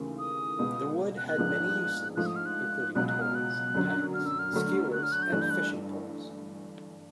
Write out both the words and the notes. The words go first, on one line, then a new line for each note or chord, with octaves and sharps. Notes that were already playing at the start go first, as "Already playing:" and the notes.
The wood had many uses, including toys, pegs, skewers, and fishing poles.
Already playing: D#2 C#3 E3 A3
D#6
C#2 B2 G#3 B3
F#6
F#6
A#1 G#2 F3 G#3 B3
G#2 F3 A3 F#6
D#6
F6
F#6
C#2 B2 F#3 F#6
F#6
F6
F#6
F#2 D3 F#3
F6
E6
F6
D2 D3 F#3 A3
F#6
F6
F#6
G6
G1 G2 E3 A3 F#6
G6
F#6